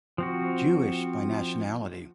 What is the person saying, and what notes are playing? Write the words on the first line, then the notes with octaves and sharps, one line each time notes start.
Jewish by nationality.
F3 C4 F#4